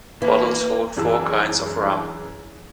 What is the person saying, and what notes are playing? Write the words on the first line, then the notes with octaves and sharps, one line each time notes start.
Bottles hold four kinds of rum.
E3 A#3
F#2 E3 G#4 A5 E6